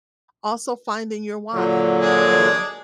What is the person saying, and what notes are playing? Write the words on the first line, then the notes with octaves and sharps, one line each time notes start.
Also finding your "why," you know?
A#2 D3 F#3
G#3 D4 G#4